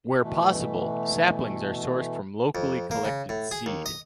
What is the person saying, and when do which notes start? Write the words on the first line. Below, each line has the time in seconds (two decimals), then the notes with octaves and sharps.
Where possible, saplings are sourced from locally collected seed.
0.21 B2 E3 A3
2.55 F2
2.91 A#3
3.05 C#3
3.29 A2
3.51 G#4
3.66 D#2
3.86 D#5